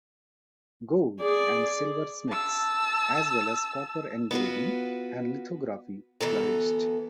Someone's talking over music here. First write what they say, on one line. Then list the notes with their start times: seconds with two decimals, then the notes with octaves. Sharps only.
Gold- and silversmiths as well as copper engraving and lithography flourished.
1.21 G#4 D5
2.28 A5 E6
4.31 B3 F4 F#4 B4
6.21 D2 E3 B3 A4 A#5